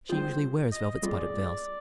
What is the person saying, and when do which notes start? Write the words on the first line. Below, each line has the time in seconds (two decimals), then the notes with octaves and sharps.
She usually wears velvet-spotted veils.
0.09 G3 C4 F4 G#4 C5
0.72 D#5
1.02 G3 C4 F4 G#4 D5